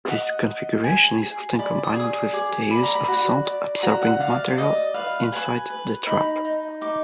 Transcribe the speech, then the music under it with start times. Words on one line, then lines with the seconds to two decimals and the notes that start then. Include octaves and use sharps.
This configuration is often combined with the use of sound-absorbing material inside the trap.
0.09 D#5 F#5
0.47 D#5
0.84 G#4 G#5
1.22 G#4
1.59 D5 B5
1.84 D#6
1.96 G#4 D#6
2.33 G#4 D6
2.70 D5 B5
2.83 A#5
2.95 B5
3.08 F#4
3.45 D5
3.83 F#4 A#5
4.02 F#5
4.20 D5 F5
4.57 D5 D#5
4.94 B4 F5
5.32 B4 G#5
5.70 B4
6.07 D#4 B5
6.45 D#4
6.81 D#4 D6